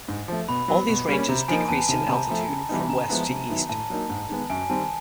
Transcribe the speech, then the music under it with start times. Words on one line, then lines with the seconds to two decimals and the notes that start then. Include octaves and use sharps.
All these ranges decrease in altitude from west to east.
0.08 G#2
0.28 F3 A3
0.48 B2 B5
0.68 F#3 B3
0.88 B2
1.08 G3 A#3 C#4
1.29 C3 A#5
1.48 F3 A#3 D#4 G#5
1.69 E2 A5
1.89 C3 D#3 A5
2.09 C3 A#5
2.29 F3 A3
2.49 C#3
2.69 E3 G3 B3 D#4
2.89 C#3 A#5
3.09 F3 G#3 B3 E4
3.30 C3
3.49 D#3 F#3 B3 E4
3.69 A2 A5
3.90 F#3 A#3 D#4
4.09 G#2
4.29 D#3 G#3 B3
4.50 F#2 G#5
4.69 D#3 G3 C4 A5